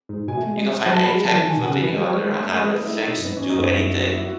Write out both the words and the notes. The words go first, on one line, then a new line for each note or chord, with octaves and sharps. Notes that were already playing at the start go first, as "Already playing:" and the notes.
you can find any type of a video on there on how to fix do anything.
G#2
B2 G#5
A3
G#3
G#3
E5
F#5
F#3
A5
F#3 B5
G#3
F#3 A5
E3
D#3 G#5
B2
F#5
C#3
E3 B4
G#3
F#3 C#5
G#3
G#3
A3
G#3 D#5
B4
A3
E4
A3 D#4
B2
F#2
G#2 B3
E2 C#4
D#4
F#2 B3
C#4
E4
F#4
E4
F#4